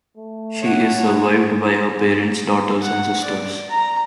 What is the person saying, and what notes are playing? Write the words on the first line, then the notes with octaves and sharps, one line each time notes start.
She is survived by her parents, daughter, and sister.
A3
C#5 F#5
F#5
D5
A#5